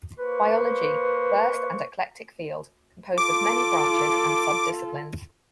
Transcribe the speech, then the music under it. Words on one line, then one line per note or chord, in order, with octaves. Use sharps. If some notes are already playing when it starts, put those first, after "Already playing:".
Biology - burst and eclectic field, composed of many branches and subdisciplines.
A#3 B4 C5 C#6
F4 A4 D6